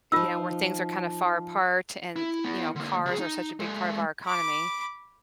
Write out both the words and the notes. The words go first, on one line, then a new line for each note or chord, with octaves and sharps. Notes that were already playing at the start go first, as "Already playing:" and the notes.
you know, where things are kind of far apart and, th you know, cars are such a big part of our economy.
F3 D#4 F4 E6
E4
B3 E4
D3 A#3
C#2 G#4
D#4
G#3 A4
B5 D6